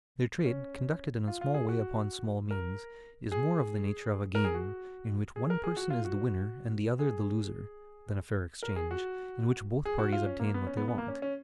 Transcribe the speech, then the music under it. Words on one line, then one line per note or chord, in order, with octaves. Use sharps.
Their trade, conducted in a small way upon small means, is more of the nature of a game, in which one person is the winner and the other the loser, than a fair exchange, in which both parties obtain what they want.
C#4
F4
F4
G#4
F#4
A#4
G#4
A#4
G#4
F#4
G#4
A#4
G#4
F#4
F4
F#4
G#4
A#4
G#4
F#4
G#4
F#4
F4
C#4
A#3
B3
C#4
B3
B3
A#3
C#4
C#4